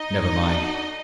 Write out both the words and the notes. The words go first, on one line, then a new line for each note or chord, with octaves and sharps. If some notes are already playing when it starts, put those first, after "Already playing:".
Never mind.
Already playing: D#4 D#5
D4 F#4 A4